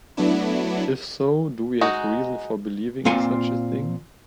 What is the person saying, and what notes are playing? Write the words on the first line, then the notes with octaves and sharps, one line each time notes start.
If so, do we have reason for believing in such a thing?
F#3 A3 B3 D4 E4
G#3 D#4 F#4
A#2 C4 F4 G#5 C6